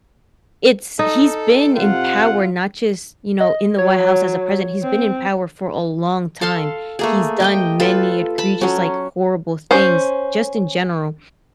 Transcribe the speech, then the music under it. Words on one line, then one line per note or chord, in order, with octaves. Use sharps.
it's he's been in power not just, you know, in the White House as a president. He's been in power for a long time. He's done many egregious, like, horrible things, just in general.
D#4 A4
C3 F4 F#5
D#5
F#3 C#5
C4
A4 F5 A5 C6
A3 A#3 G#4
G4 D#5 G5
F4 A4 B4
A5 B5
F#3 C#4
C#4 C5